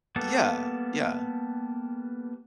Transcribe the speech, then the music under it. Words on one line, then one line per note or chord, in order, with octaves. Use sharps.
Yeah. Yeah.
G3 A#3 B3 A4